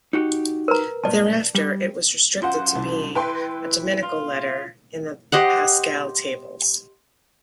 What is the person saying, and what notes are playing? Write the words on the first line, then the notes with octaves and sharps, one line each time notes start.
Thereafter it was restricted to being a dominical letter in the Paschal tables.
D#4 F#4 G4
A#4 B4 A#5
D2 G2 A#2 D5 A5
G3
F#2 F4 C5 F#5
C2
E3 B4 G5 C6
F4
G4 C5 D#5 F#5